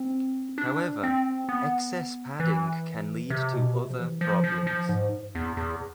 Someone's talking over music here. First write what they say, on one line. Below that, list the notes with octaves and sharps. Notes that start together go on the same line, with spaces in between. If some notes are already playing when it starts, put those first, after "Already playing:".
However, excess padding can lead to other problems.
Already playing: C4
D4
C4
B3
E3
C3
B2
C3
F3
E3
F3
F3
F3
G#2
E2
E2